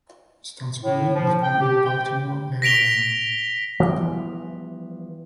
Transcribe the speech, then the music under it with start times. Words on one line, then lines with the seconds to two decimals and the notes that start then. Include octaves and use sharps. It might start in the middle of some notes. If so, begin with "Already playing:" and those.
Stansbury was born in Baltimore, Maryland.
0.83 A2
1.14 F3
1.43 G5
1.61 G4
1.84 G5
2.62 A#6 B6 D7 F7 G7
3.80 E3 F3 G3 B3